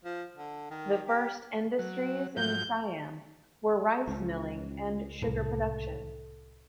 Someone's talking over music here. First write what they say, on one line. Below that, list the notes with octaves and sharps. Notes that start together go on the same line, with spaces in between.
The first industries in Siam were rice milling and sugar production.
F3
D3
D#3
G4
F#3
G#2 F3 F#3 G6
C#2 C#4 F4 G#4
C2 A2 A4